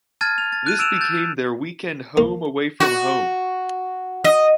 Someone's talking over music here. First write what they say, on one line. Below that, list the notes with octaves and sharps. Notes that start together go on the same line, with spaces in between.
This became their weekend home away from home.
A5 F6 G#6 A6 D#7
F7
A6
F#6 D#7
E6 D7 E7 F7
G6 A6
A#3
F#4
D#5